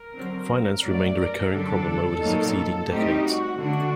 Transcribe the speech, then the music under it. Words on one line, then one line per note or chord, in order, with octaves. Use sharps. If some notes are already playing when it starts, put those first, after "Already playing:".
Finance remained a recurring problem over the succeeding decades.
Already playing: A#4
D3 F#3 C4
F#2 F#3 A3 D5
A#4
F#2 D3 G3 D4 A4
A#2 F#3 A#3 D#4
A2 G3 C4 D#4 G4
F#4
D3 A3 D4 F#4